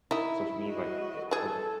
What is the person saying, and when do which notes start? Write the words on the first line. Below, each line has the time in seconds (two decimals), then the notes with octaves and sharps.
So for me, like, yeah, uh
0.11 D#3 D#4 E4
0.66 F#4 D#5
1.31 E3 G#4 A4